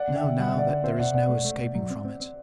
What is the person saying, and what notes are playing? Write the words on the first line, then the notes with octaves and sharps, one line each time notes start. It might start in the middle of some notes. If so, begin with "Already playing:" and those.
I know now that there is no escaping from it.
Already playing: D5 F#5
D3
E5 G5
D3
G3 F#5
E5
D3 D5 F#5
D3
C4 C5 E5
B2 D5 F#5
B2 D5 F#5
A3
A3
B2
F#3
C4
C4
C4